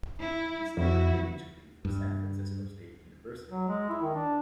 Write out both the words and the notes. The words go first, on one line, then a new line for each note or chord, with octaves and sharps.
He starred collegiately for San Francisco State University.
E4
F2 E4 F#4
G2
F#3
G#3
E4
D#3
D4